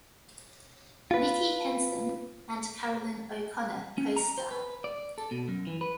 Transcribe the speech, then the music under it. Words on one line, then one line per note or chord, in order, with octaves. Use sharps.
Nicky Henson and Caroline O'Connor costarred.
F4 B4
C#4
A#5
C5
B4
D5
A4
B2
F#2
E3
B4